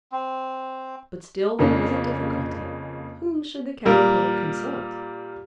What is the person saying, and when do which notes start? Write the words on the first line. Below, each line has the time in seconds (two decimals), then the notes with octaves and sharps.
But still there was a difficulty--whom should the Caterpillar consult?
0.12 C4
1.59 F2 C#3 A#3 C#4 D4
3.85 A#2 G3 A#4